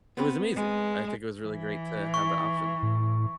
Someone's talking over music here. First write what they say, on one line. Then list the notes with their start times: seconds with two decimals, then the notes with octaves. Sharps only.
It was amazing. I think it was really great to have the option.
0.17 B3 C4 B4
0.55 G#3
1.43 E3
2.14 C#6
2.83 A2